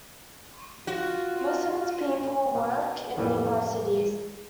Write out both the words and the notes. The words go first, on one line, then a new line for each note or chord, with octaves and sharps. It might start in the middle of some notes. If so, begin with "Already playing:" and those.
Most of its people work in nearby cities.
F4 F#4
B2
F2 A2 E3 G3